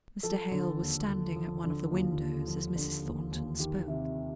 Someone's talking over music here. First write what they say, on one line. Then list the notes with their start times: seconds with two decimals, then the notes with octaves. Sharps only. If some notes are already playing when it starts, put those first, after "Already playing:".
Mr. Hale was standing at one of the windows as Mrs. Thornton spoke.
0.23 F3 A4
0.51 D3
0.79 D#2
1.07 D#2
1.36 F3
1.64 D3
1.92 D#2 F4
2.20 D#2
2.48 F3
2.76 D3
3.04 D#2
3.32 D#2
3.60 D#3 G4
3.88 C3